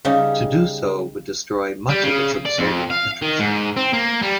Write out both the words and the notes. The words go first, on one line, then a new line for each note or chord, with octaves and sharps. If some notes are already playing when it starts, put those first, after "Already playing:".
To do so would destroy much of its absorbing interest.
C#3 G3 C#4 D#4
G3
C#3
D5
F2
F5
D#3
G#2
C4
A#3
G3